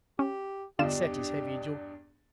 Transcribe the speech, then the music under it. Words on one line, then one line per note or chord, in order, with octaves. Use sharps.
He set his heavy jaw.
C#4 G4
E2 G2 D3 D4 F4 G4 D#5 E7